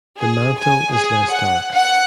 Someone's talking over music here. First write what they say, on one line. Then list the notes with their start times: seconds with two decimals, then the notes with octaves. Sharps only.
The mantle is less dark.
0.19 G#4
0.59 G#5
0.93 G#4
1.32 F#5
1.73 F#5